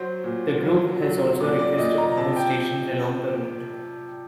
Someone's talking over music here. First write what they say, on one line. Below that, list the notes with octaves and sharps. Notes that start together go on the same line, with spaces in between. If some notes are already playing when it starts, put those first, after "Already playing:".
The group has also requested more stations along the route.
Already playing: F#3 C5
A#2
F#3
F#3
A#2 D5
D5
A#2 D#5
A#5
C3 A5
G5